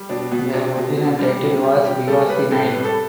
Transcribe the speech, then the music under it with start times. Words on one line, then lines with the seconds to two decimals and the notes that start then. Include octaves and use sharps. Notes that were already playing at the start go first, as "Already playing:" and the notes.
The original title was "Because the Night".
Already playing: G3
0.09 B2 D4
0.31 B2 B3
0.53 B2 D4
0.76 B2
0.97 B2
1.19 G3
1.41 B2
1.63 G3
1.85 B2 G4
2.07 G3 A4
2.29 G3 B4
2.51 A2 A4
2.68 B4
2.73 G3
2.84 A4